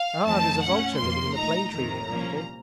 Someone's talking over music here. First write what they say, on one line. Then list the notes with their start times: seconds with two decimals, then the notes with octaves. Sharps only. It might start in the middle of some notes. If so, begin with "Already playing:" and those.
'Ah, there's a vulture living in the plane tree here, Uncle.
Already playing: F5
0.25 F2 D#3 A3 C4 D#4 A5
0.61 A#2 A3 C#4 F#5
0.97 F2 D#3 A#3 C6
1.34 A#2 A3 D#4 A#5
1.70 F2 C3 D#3 A#5
2.07 C2 A#2 F3 A#3 C#4